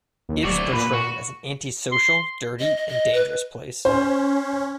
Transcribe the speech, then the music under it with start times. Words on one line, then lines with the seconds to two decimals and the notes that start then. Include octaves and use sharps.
It is portrayed as an anti-social, dirty and dangerous place.
0.29 D#2
0.44 D1 F#4 D5
0.73 A#2 B4
0.93 F#4
1.92 C6
2.60 D#5
2.77 D#5
2.89 D#5
3.14 B4
3.85 C#4 C5